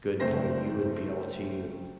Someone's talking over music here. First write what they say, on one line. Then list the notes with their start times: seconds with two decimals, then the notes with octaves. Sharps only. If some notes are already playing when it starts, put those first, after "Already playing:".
good point, you would be able to
0.20 F#1 A3 C4 C5 A#6